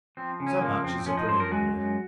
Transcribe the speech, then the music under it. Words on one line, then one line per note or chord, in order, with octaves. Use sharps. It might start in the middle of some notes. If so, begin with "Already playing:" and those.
So much as a preliminary.
F3 C4
C#3
C#4
F3 A#3
F2 C4
C4
F3 C#4
D#4
F#2 C5
A#4
G#3 F#4
F#2